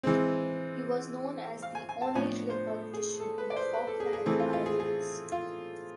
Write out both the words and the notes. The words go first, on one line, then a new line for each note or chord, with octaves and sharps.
He was known as the "only real politician in the Falkland Islands".
E3 G#3 C4
F5
G#5
G#5
A5
A2 F3 B3 D4 G#5
C5
A4
G#4
A4
B4
D5
C5
B4
A4
G#4
G#4
E3 A3 C4 G#4
F4
F4
G#4
G#4
F4